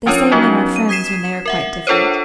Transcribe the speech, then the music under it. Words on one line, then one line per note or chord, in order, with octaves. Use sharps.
They say men are friends when they are quite different.
F3 C#4 D4 F4 A#4 C#5
F#3 B3 C#4 D#4 F#4
D#7
D#6 G#6 B6 C7 E7
A#4 E5 F#5
D4 F4 A4 A#4 C5 C#5